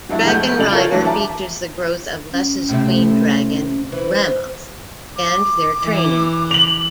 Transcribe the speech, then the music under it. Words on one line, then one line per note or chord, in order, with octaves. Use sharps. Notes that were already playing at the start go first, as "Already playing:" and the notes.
"Dragonrider" features the growth of Lessa's queen dragon, Ramoth, and their training together.
F#3 D4 E4 F#4
F1 G#3 A3 F#5 G6
F2 C#3 D5 D7 F7 F#7
F4 A4 A#4 C#5 F5
E3 F#3 A3 D4
E5 A5 A#5 D6
C#4
A2 C3 A3
E3 C5
D6
E3
F7 F#7